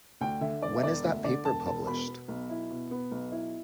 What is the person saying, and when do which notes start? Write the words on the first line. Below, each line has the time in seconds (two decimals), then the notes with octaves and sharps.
When is that paper published?
0.21 D2 G5
0.41 D3 E5
0.62 E1 D5
0.77 E5
0.83 E1 D5
1.04 D2 E5
1.24 D3 D5
1.45 E1 A5
1.66 E1 A5
1.87 B2 B5
2.07 B3
2.28 B1
2.50 E4
2.71 B2
2.91 B3
3.12 B1
3.32 E4